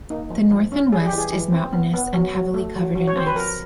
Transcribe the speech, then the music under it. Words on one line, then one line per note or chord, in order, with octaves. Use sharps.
The north and west is mountainous and heavily covered in ice.
A#3 D#4
F3
F3
C#4
G3 G#4
G4
E3
G#4
E3
C4
B3
B3
F#3
F#3
A3
F#3
F#3
C#5
C4 C5
B4
F3 A#4